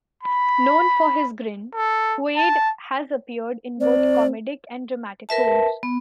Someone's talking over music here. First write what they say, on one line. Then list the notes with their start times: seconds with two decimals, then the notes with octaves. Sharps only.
Known for his grin, Quaid has appeared in both comedic and dramatic roles.
0.23 B5
1.75 A4
2.36 A5
3.81 C4 D5
5.29 A#4 B4 E5 A5
5.83 B3